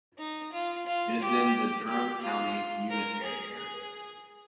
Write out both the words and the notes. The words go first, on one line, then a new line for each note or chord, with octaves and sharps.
It is in the Durham County Unitary area.
D#4
F4
F4
G4
G4
F4
A#4
G#4
G#4